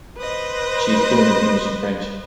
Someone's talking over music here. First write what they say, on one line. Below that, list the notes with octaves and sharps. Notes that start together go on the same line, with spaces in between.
She is fluent in English and French.
B4 C5 D#5